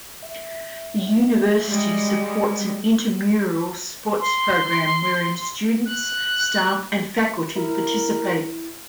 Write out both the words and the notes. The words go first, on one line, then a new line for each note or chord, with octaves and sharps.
The university supports an intramural sports program wherein students, staff, and faculty participate.
E5
G3 G#3
C6
F#6
E4 A#4